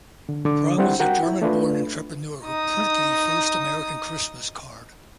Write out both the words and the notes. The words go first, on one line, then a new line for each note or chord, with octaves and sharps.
Prang was a German-born entrepreneur who printed the first American Christmas card.
D3
D3 D6
G3 C4 E4 C5 F#5
F#4 A#4 F#5 G5
E4
A3 D4 F4 B4
D#4 D#6